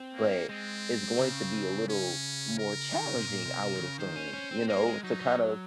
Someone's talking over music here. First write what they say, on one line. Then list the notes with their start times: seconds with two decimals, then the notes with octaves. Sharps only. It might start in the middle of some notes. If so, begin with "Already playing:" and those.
but it's going to be a little more challenging, I would assume, you know, to kinda
Already playing: C4
0.14 A#3
0.49 G#3 C4
1.19 C#3
1.89 C#4
2.59 A#4
2.93 D#3
3.05 C#3
3.16 C3
3.29 A#2
3.46 C3
3.63 C3
3.76 D#3
3.81 C#3
3.98 D#3 C5
4.16 C#4
4.33 C#4
4.51 C4
4.68 A#3 A#4
4.86 G#3
5.03 F#3 D#4
5.21 F#3